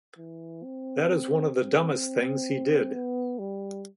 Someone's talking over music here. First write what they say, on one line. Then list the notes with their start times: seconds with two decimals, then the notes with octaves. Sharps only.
That is one of the dumbest things he did.
0.17 E3
0.64 C4
1.55 C4
2.94 B3
3.39 G3